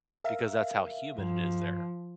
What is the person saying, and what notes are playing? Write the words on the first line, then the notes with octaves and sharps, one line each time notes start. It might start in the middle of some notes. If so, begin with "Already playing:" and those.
because that's how humid it is there.
A#4 E5 F5
G2 F3